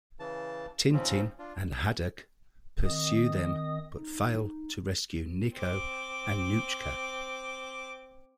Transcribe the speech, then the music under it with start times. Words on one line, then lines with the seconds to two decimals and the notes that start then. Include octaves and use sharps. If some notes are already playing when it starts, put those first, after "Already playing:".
Tintin and Haddock pursue them but fail to rescue Niko and Nouchka.
0.20 C#3 E3 A5
0.93 G#2 C#3 F3 C4 C#4
1.39 D4 F4
2.84 D#3 C4 D#5 D#6
3.95 D#4
5.55 C4 D6